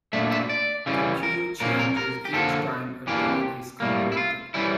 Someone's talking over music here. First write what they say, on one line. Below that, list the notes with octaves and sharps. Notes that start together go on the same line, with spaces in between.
The queue changes each time a turn is completed.
A#2 A3 D4 E5
E5
D5
C#3 E3 G3 C#4
A#4
A#2 F3 A#3 C#4 A#4
A#4
A#4
G4
D3 F3 A#3 A4
E3 A#3 D4 G4
A2 G3 A#3
E4
F4
E3 G3 C#4 E4